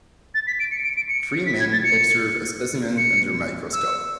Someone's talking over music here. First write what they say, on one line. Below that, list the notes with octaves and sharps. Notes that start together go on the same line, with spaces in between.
Three men observe a specimen under a microscope.
A6
B6
D7
C#7
D7
D7
C#7
B6
G#6
A6
C#7
C#7
E6